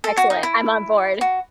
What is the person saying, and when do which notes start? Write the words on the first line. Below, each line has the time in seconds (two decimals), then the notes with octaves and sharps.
excellent, I'm on board.
0.04 A4
0.17 F#4
0.30 D#4
0.43 E4
1.21 F#4